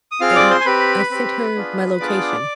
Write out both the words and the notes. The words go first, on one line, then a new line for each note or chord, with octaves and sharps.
And I sent her my location
D#6
C4 F4 G#4 F5 F6
D5 D6
C5 C6
G#5
C4 G4 B4 B5
C4 G4
B3 D4 F4 G#4
B3 D4 F4 G#4 D5 D6